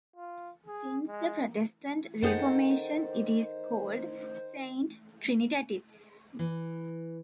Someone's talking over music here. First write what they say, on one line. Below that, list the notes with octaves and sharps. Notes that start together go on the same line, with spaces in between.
Since the Protestant Reformation it is called Saint Trinitatis.
F4
G#4
G#3
F#2 D#3 G#4 A4 C5 F#5 G5 G6
E3